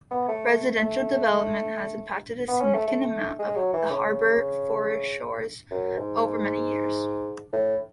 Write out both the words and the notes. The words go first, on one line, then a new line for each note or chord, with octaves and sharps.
Residential development has impacted a significant amount of the harbour foreshores over many years.
B3
A3
A3
B3
C#4
A3
A3
G#3
F#3
E3
C#3
F#2
G#2
A2